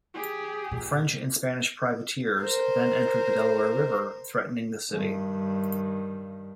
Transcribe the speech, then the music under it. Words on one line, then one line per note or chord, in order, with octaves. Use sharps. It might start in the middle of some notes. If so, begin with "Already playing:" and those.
French and Spanish privateers then entered the Delaware River, threatening the city.
G4 G#4
A#2
A#4 C5
G2 D#3